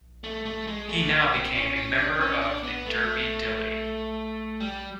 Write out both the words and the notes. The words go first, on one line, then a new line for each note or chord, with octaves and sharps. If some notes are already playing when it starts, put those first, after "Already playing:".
He now became a member of the Derby Dilly.
A3
A3
G#3
A3
A#3
C4
C#4
C#4
D4
C#4
D4
B3
A3
G3